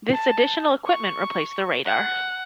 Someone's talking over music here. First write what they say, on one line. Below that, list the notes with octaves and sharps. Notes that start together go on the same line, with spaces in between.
This additional equipment replaced the radar.
A5
C#6
F#5